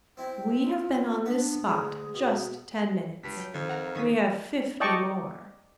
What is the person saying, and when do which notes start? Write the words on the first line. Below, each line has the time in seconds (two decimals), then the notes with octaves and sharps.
We have been on this spot just ten minutes; we have fifty more.
0.17 C4 E4 G5
0.62 F4
1.26 B3 D4 B4
1.67 D2 G#4
2.14 B2
3.23 C#2 G2 B6
3.37 F#3 G5
3.54 F2 D#3
3.69 F#5 A#5 F6
3.95 D#2 C#6 D#6 B6
4.80 D5 D#5 G5 A5 C#6 D6